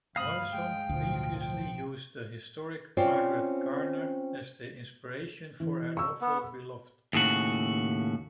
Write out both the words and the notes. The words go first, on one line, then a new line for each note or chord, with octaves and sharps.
Morrison previously used the historic Margaret Garner as the inspiration for her novel "Beloved".
D2 G2 F5 B5 D#6
G#3 G5
A1 D2 B2 F3
G5
C4 C#4 F4 C5 D5
E3
C#6 E6
B3
D#2 A2 C#3 F#4